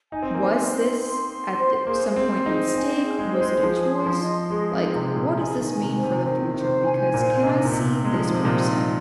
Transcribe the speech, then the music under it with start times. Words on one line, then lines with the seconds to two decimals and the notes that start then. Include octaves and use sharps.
"was this at th some point, a mistake? Was it a choice?" Like, what does this mean for the future? Because, can I see this person
0.12 D#4 G#5
0.23 C4
0.34 A#3
0.41 C4 C5
0.70 C6
0.99 C6
1.29 C6
1.58 C5
1.87 A#3 G#4
2.16 C4 C5
2.46 D#4 G#4
2.74 C4 G#5
3.04 G#4
3.19 G#3
3.33 C5
3.41 G#3
3.54 G#3
3.62 F3 G#4
3.92 C6
4.06 F3
4.21 D#5
4.50 G#3 G#4
4.71 C4
4.79 D#4
4.94 C3
5.08 G#4
5.16 A#2
5.37 G#5
5.59 D#3
5.67 G#5
5.81 C3
5.96 C5
6.03 C3
6.26 D#3 C5
6.54 C3 C5
6.84 C3 G#5
7.13 A#2 C5
7.42 C3 D#5
7.65 A#2
7.72 C3 D#4
8.01 G#3 D#4
8.14 F3
8.25 D#3
8.30 C3 C5
8.45 A#2
8.59 D#4